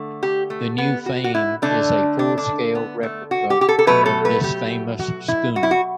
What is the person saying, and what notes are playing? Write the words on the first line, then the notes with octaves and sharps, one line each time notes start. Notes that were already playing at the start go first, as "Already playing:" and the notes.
The new "Fame" is a full-scale replica of this famous schooner.
Already playing: D3 A3
G4
A3
B3
F#4
F#4
E4
D3 A3 D4
D4
D4
B3
A3
F#4
G4
G4
A4
A4
B2 F#3 A3 B4
A4
B4
G4
F#4
E4
F#4
E4
F#4